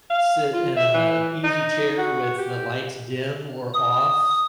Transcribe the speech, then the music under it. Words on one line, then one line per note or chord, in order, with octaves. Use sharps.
sit in a easy chair with the lights dim or off,
F5
F4
E5
E3
D#4
F#4
G4
D#6